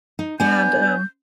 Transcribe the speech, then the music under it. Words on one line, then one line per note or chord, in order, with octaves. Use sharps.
and, um,
D#4
B3 D4 G#5 G6